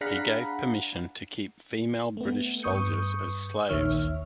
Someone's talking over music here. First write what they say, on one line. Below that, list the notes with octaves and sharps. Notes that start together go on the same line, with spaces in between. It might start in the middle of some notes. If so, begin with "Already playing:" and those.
He gave permission to keep female British soldiers as slaves.
D4 G#4 F5 F#5 A#5 B5
A3 B3
G2 B4 C#6 D#6 G6 C#7
A#1 D#2 D#3 C#5 E5 F6